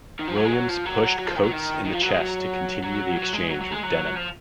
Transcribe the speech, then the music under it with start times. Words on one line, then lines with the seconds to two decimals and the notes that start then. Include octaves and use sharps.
Williams pushed Coates in the chest to continue the exchange with Denham.
0.19 D#3
0.28 F3
0.36 F#3
0.44 G#3
0.52 F#3
0.69 F3
0.85 F#3
1.19 F#3
1.26 F3
1.35 D#3
1.43 F#3
1.52 D#3
1.84 D#3
1.93 F3
2.02 F#3
2.10 G#3
2.18 F#3
2.84 F#3
3.17 F#3
3.33 G#3
3.50 F#3
3.61 F#3
3.72 G#3
3.83 F#3
4.16 F3